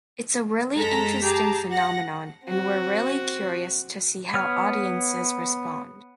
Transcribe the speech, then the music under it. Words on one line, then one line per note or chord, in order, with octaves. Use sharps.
It's a really interesting phenomenon and we're really curious to see how audiences respond.
F#2 G#3 A4 A#5 A#6 B6
G4 G#4 A5 A#5
F#5 A#6
C4 F#4
B3 C#5 F6